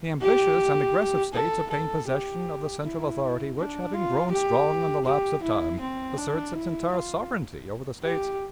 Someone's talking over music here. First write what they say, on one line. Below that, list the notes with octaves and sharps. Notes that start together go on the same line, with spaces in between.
The ambitious and aggressive States obtain possession of the central authority which, having grown strong in the lapse of time, asserts its entire sovereignty over the States.
G4
A4
A4
G4
E4
D4
F4
G4
G4
E4
C4
D4
E4
F4
G4